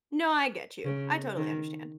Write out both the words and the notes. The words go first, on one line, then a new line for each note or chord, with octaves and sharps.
no, I get you, I totally understand.
C#3
D#3